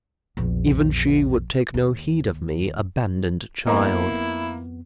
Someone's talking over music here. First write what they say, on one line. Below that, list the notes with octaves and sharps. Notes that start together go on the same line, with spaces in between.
Even she would take no heed of me, abandoned child!
A#1 E2
D#2
F2 A#3 B3 E4 D#5 F5 A#5